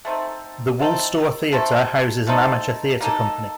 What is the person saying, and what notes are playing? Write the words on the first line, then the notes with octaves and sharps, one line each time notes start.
The Woolstore Theatre houses an amateur theatre company.
A3 C4 D#4 A4
A3 C4 D#4 A4
A3 C4 D#4 A4
A3 C4 D#4 A4
A#3 D#4 A4